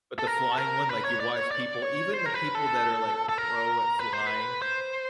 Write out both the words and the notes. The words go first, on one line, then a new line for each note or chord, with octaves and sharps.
But the flying one, like, you watch people even the people that are, like, pro at flying,
A4
A#4
A4
A#4
B4
C#5
D5
C#5
D5
C#5
C5
A#4
B4
A4
A4
A#4
B4
C5
B4
C5